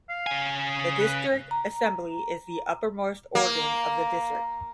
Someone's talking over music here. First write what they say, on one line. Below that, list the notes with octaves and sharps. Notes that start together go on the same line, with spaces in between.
The district assembly is the uppermost organ of the distric.
F5
C#3 G#5
G#4
B4
A#5
A#3